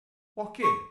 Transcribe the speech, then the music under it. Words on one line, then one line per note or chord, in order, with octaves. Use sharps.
Walk in.
C#6